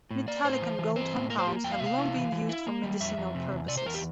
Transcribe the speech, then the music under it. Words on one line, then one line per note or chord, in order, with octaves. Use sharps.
Metallic and gold compounds have long been used for medicinal purposes.
A2
A#3 D5
A2 C5
E3
E3
C4 C5
A2
A#3 A#4
C5
A#3 G4
F2 G5
F5
C3 E5
F5
E4
E3
E3
E4
A#3
G3
F2 E5
F2
C3
E2
C3 D5
C5
E2 A#4
G4